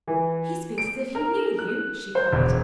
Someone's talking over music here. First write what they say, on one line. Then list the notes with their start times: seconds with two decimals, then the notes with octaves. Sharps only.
"He speaks as if he knew you!" she cried.
0.08 E3
0.78 D7
1.15 A#4
1.59 F#6
2.15 C5
2.32 E1